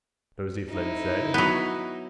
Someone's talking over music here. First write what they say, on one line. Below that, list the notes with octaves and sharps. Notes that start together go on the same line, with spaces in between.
Nosey Flynn said.
D#4 E4
F#3 B3